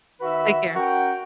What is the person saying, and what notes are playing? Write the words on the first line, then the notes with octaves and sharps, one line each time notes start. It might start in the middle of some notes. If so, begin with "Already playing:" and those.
Take care.
D#3 F#4 B4 E5
C#4 F#4 A#4 G5